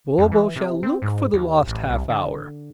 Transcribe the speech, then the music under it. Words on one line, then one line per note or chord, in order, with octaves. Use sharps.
"Bobo shall look for the lost half-hour."
F2
E3
C3
C4
G#2
D#2
A1
C2
D3